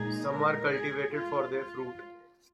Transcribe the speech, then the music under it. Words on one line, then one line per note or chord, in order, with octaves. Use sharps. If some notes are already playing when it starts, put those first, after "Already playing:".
Some are cultivated for their fruit.
Already playing: A#2 G#3 D#4 G#4
A#4
G#4
F4
F4